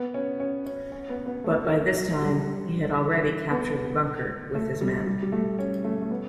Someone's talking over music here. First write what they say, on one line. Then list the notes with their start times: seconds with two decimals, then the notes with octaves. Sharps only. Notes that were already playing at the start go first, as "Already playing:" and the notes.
But by this time he had already captured the bunker with his men.
Already playing: B3
0.14 C#4
0.40 C#4
0.66 C#4
0.92 C#4
1.09 B3
1.26 B3
1.44 A3
1.96 F#3
2.22 G3
3.51 B3
4.55 A3
4.81 G3
5.07 G3
5.22 G3
5.32 A3
5.59 C#4
5.85 A3
6.02 A3
6.11 B3